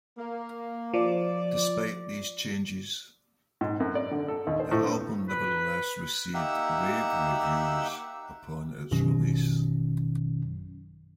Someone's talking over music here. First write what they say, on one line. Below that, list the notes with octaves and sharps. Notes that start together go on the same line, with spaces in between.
Despite these changes, the album nevertheless received rave reviews upon its release.
A#3
F3 D5
G#2
F#2
D5
D3
A4
D#2
C5
A2
G2
B4
A#3 D#4 G4 E5 F#5 E6
A1 F#2 B2 D#3 F#3 C#4